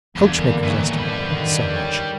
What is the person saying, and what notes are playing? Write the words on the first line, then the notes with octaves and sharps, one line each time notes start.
Coach-maker's estimate, so much.
E2 D3 G3 A#3
A2 D#3 E3 F#3 B3
F2 D3 G3 B4
D#3
C#5 G5